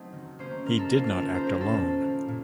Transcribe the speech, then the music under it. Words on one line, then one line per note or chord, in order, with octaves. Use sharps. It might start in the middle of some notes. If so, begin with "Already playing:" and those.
He did not act alone.
Already playing: F#3 A3 C4 D#4
D#3
A#3 C#4 C5
D#3 A#4
A4
A#3 C#4 F4
A4
D#3 A#4
C5
A#3 C#4 A#4
A4
A#2
F3 A#3
A#2